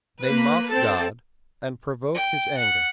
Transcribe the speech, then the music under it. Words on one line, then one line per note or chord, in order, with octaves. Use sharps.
They mock God, and provoke His anger.
A#3 B4
C4 A4 A5
G5
F#5